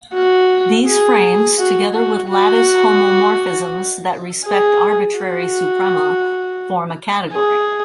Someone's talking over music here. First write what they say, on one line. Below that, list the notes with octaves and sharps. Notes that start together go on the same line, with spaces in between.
These frames, together with lattice homomorphisms that respect arbitrary suprema, form a category.
F#4
G#4
F#4
F#4
F#4
G#4
F#4
G#4